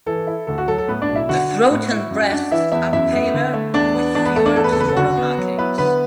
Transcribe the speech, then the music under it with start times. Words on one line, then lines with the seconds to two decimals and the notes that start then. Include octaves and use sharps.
The throat and breast are paler with fewer, smaller markings.
0.06 E3 A4
0.27 E4
0.47 D2 A4
0.58 F#4
0.67 F#3 A4
0.78 A4
0.88 A2 B3 B4
1.02 D4 D5
1.09 B1
1.15 E4 E5
1.29 D3 F#4 F#5
1.50 D4
1.70 A2
1.91 E4
2.11 F#2
2.32 D4
2.51 E3 E4 E5
2.72 E2 E4 E5
2.93 F#2 E4 E5
3.13 B3
3.34 D3
3.54 A3
3.74 E2 D4 D5
3.94 B3
4.15 E2 D4 D5
4.25 B3 B4
4.36 A3 A4
4.46 D4 D5
4.56 E2 A4
4.64 B4
4.72 A4
4.77 F#1 B4
4.88 A4
4.97 D3 F#4
5.17 B3
5.38 F#3
5.58 B3 E4 B4
5.78 D3 B3 B4